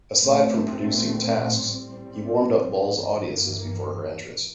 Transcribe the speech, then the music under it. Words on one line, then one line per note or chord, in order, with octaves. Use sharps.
Aside from producing tasks, he warmed up Ball's audiences before her entrance.
A#2 A3 C4
A2 G3 C4
G2 E3 A#3